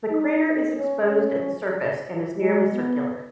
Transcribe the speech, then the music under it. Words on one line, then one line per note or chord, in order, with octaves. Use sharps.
The crater is exposed at the surface and is nearly circular.
D#4
C#4
C#4
G#3
B3